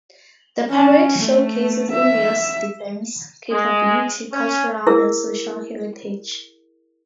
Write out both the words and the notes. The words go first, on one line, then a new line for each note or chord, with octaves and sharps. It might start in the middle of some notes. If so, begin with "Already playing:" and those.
The parade showcases India's Defence Capability, Cultural and Social Heritage.
C#4
A3
E5
G#3
C#4
E4 G#4 A#4 E6